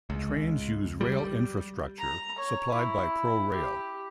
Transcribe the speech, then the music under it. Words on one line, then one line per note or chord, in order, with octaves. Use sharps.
Trains use rail infrastructure supplied by ProRail.
C#2
G3
A#5
C#5
E4
G4